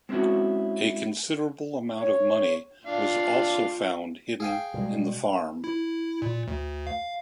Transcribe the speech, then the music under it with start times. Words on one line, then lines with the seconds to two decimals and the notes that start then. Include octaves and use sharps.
A considerable amount of money was also found hidden in the farm.
0.09 G#3 C4 C#4 E4 F#4
1.98 C#5
2.86 D4 F4 F5
4.40 G#4 F5 G5
4.74 B2 G3 G#3
5.64 E4
6.22 A#2
6.48 D2
6.87 F5